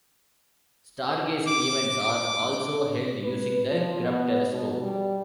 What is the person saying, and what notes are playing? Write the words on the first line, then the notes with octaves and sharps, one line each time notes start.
Stargazing events are also held using the Grubb telescope.
D6
D6
B4
F3
B3
B2
G3